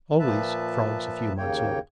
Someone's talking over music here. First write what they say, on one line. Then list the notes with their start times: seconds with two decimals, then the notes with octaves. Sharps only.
Always frogs a few months old.
0.19 A#2 F3 B4 E5 A5
1.38 D#2 C#3 A#3 C#5 G5